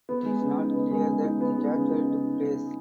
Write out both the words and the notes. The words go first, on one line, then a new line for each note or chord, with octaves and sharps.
It is not clear that the capture took place.
B3
G#3
C#3
D#4
B3
G#3
C#3
D#4
B3
G#3
C#3
D#4